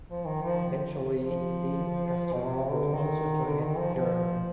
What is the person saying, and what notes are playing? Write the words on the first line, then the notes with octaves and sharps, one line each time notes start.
Eventually, Deen Castronovo also joined Journey.
F3
D#3
F3
F3
B2
C3
D3
D#3
D3
D#3
F3
F3